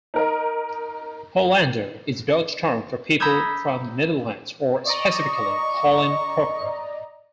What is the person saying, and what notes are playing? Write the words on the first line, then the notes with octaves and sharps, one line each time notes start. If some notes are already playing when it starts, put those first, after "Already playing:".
"Hollander" is a Dutch term for people from the Netherlands, or specifically Holland proper.
D#4 A#4 D#5
A#5 B5 D#6 E6 G6 G#6
D5 D#5 A#5 C#6